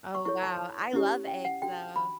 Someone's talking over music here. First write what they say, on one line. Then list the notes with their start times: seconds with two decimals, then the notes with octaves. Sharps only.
Oh, wow, I love eggs, though.
0.15 C#6
0.25 E4 A4 C#5 C#6
0.42 A5
0.93 C#4 E4 G4 C#5
1.28 G5
1.45 F#5
1.62 D4 F#4 A4 G5
1.96 B5